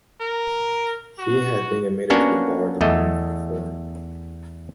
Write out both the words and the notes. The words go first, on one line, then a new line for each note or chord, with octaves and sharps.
He had been admitted to the bar the month before.
A#4
F#4
A#3 B3 C#4 D4 F#4 C#5
E2 A3 D#5